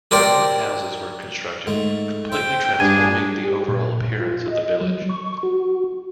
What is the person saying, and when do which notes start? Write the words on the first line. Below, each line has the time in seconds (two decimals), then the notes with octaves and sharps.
Government houses were constructed, completely transforming the overall appearance of the village.
0.11 G4 A#4 C5 D5 G5
1.67 G#2 A3
2.32 C5 E5 G5
2.80 G2 D4 G#4 G#5
3.43 G4
3.69 A#2
4.20 F4
4.48 D#5
4.81 F#3
5.09 C#6
5.43 F#4